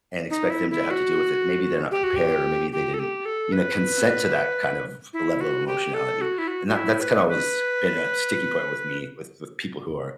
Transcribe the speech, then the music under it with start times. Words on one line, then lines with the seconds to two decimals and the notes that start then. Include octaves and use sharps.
and expect them to have to deal with it, maybe they're not prepared or maybe they didn't, you know, consent to that kind of level of emotionality. And that that's kinda always been a sticking point with me, with with people who are
0.30 D#4
0.50 E4
0.71 E4
0.91 F#4
1.91 G4
2.04 F#4
2.16 G4
2.72 G4
2.94 A4
2.99 G4
3.25 A4
3.52 B4
5.13 E4
5.41 F#4
5.67 G4
5.94 A4
6.21 F#4
6.38 E4
6.48 F#4
6.67 F#4
6.75 E4
7.01 B4
7.28 B4